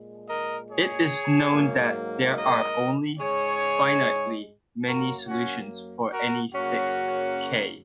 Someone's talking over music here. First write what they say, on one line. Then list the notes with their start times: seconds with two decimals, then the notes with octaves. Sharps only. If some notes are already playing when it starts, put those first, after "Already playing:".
It is known that there are only finitely many solutions for any fixed "k".
Already playing: A#2 G#3
0.28 A#4 D#5
0.69 G#4 C#5
1.52 G#2 F#3 A#3
2.36 A#4 D#5
3.19 G#2 G#3 G#4 C#5
4.86 F#2 F#3 A#3 F#4 A#4
5.27 C#4 F#4
6.11 F#4 A#4
6.53 F#2 C#3 F#3 A#3 C#4 F#4